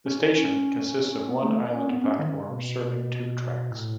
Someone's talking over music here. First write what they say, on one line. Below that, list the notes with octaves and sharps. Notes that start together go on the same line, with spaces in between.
The station consists of one island platform serving two tracks.
C#4
B3
A3
C#4
B3
C#4
D#3
C#3
B2
A2